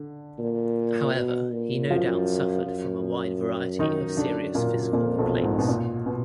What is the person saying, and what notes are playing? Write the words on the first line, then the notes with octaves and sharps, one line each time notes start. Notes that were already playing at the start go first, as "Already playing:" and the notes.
However, he no doubt suffered from a wide variety of serious physical complaints.
Already playing: D3
A#2
B2
A#2
F#2 F3 F4
F#2
D#3 D#4
D3 D4
A#2 A#3
F2 A#2 A#3
B1 B2
G#2
B2
A#2
B2